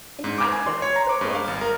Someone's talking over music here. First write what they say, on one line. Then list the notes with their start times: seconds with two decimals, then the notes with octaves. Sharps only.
Invite the Crickets?
0.24 G#2
0.38 D6
0.52 G#5
0.67 C6
0.82 C#5
0.96 A#5
1.09 D6
1.21 G2
1.35 F5
1.48 G#1
1.61 A#4